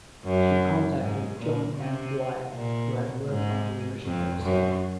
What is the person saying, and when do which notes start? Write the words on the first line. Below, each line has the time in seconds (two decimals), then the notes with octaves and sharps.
She contacted John M. Dwyer, who had worked on the original episode.
0.25 F#2
1.01 G#2
1.39 A#2
1.77 C3
2.53 A#2
3.29 G#2
4.05 F2
4.43 F#2